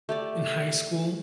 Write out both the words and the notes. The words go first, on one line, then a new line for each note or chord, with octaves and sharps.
in high school,
A3 G4 D5